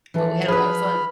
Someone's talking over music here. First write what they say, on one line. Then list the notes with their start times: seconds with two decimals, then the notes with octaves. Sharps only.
But we had a lotta fun.
0.14 E3 F3 A4
0.48 F3 G#4 B4 B5 F6